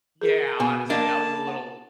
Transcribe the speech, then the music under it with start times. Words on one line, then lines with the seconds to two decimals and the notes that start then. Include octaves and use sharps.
Yeah, honestly, I was a little
0.21 G#4 A#4
0.60 B2 G#5
0.90 A#3 D4 D#5 A5
1.47 F#5